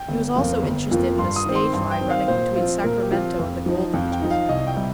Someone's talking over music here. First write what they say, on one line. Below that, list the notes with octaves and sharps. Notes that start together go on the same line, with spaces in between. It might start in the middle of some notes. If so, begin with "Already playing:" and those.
He was also interested in a stage line running between Sacramento and the gold regions.
Already playing: G5
G1
F2 F3 A#3 F4
G1
F2 F3 A#3 F4
G2 C6
D#6
D#3 C4
C6
G2 C6
G5
D#3 C4
F5
A#2 C5
F3 C4 F4
A#2 A#4
G4
F3 C4 F4
F2
F3 D#4
F2 G5
G5
F3 D#4
F5
C2 D#5
G5
C3 G3